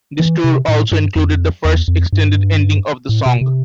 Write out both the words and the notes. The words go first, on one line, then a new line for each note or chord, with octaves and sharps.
This tour also included the first extended ending of the song.
E3
C3
A2
G2
F2
E2
F2
G2
A2
B2
C3